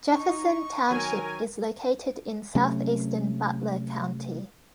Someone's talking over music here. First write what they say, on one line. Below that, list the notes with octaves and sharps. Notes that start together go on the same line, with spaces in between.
Jefferson Township is located in southeastern Butler County.
D#4 C#6
D#3 F#3 A#4 G#5
C3 F#3 A3 C#4